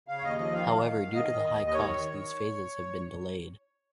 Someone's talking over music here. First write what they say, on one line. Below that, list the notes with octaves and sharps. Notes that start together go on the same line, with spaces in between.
However, due to the high cost, these phases have been delayed.
C#3 F5
C#5
D#2 D#5
F3 D#5
D#3 F5
D#3
G#2
G#2
D#3 D#5
D#3
D#2
D#2
D#5
D#3 C#5
D#3